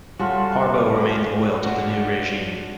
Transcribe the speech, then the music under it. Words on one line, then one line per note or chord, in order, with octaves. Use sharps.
Harbou remained loyal to the new regime.
G3 C#4 F4 F#4 A4
D4 F#4